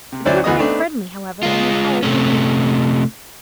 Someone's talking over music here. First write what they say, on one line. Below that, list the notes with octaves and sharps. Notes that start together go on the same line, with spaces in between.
They were very friendly, however, and inquired her name.
C3
D2 F#3 C#4 E4 C5 D5
D2 E3 B3 G#4 D#5 D#6
A3 B3 C4 D4 D#4
G#3 F4
C3 A3 C#4